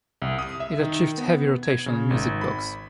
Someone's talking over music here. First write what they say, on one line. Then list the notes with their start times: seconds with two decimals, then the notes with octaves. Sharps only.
It achieved heavy rotation on "Music Box".
0.22 C2
0.39 D#6
0.60 E5
0.80 D#3
1.18 B3
1.63 G#6
1.86 C#3
2.11 G#1
2.41 B5